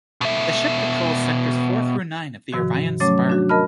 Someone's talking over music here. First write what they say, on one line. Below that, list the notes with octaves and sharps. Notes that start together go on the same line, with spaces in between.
The ship patrols Sectors Four through Nine of the Orion Spur.
B2 E5
G#2 C3 D#3 F3 F#4
F#3 A3 C#4 C#5 D6 A6
D4 F#4
A#4 D#5 A5 B5 F6